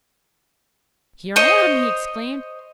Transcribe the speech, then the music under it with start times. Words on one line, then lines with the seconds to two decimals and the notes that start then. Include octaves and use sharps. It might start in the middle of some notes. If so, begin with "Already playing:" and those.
'Here I am!' he exclaimed.
1.36 C5 C#5 D#5